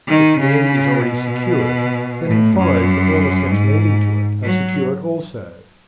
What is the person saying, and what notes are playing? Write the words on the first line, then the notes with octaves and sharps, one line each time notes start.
If the end is already secured, then it follows that all the steps leading to it are secured also.
D#3
C#3
B2
A2
F#2
G#2
F#3